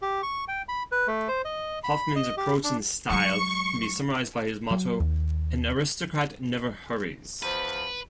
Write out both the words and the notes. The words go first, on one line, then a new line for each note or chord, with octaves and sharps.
Hofmann's approach and style can be summarized by his motto "an aristocrat never hurries".
G4
C#6
G5
B5
B4
A3
C5
D#5
B5
D#5
G4
D4
F#3 G#3 C#6
F#3
D#2
E2 F3 B4